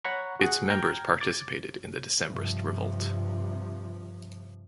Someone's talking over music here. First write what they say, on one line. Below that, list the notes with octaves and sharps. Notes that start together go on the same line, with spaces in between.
Its members participated in the Decembrist revolt.
C#5 F#5 A#5 B5 C#6
F#4 G#4 F#5
G5 A#5 F6 G#6
D6 G#6 A6
G2 C3 F3